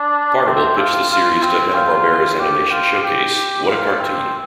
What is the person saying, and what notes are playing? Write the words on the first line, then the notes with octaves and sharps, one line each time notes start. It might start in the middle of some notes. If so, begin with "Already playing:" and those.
Partible pitched the series to Hanna-Barbera's animation showcase What a Cartoon!
Already playing: D4
C4
F4
F4
C4
F4
G4
F4
G4
F4
C4